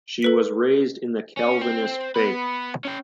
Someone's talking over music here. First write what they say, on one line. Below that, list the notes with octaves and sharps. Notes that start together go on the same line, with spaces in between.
She was raised in the Calvinist faith.
A4 B4 B6
C#4
C4
B3 B4
C#4 G5